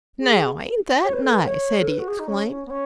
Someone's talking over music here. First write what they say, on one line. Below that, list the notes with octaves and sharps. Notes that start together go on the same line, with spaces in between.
"Now ain't that nice," Hetty exclaimed.
G#4
C#5
B4
A4
B4
C#5
A4
B4
F#4
G#4
D#4
C#4
C#4
B3
C#4